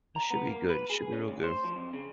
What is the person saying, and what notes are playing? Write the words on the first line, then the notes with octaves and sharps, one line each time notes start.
it should be good. It should be real good.
A#5
B3
A#3
B4
G#4
C#4
D2
C5
F3
F2
C#3